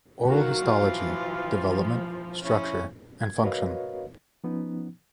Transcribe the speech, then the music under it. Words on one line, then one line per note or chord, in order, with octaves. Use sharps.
Oral Histology: development, structure, and function.
D#3 F#3 F#4 F5
E3 F3 F4
C#4 E4
G#6
F#4 A#4 B4 C#5 D#5 F5
F3 B3 C#4 D#4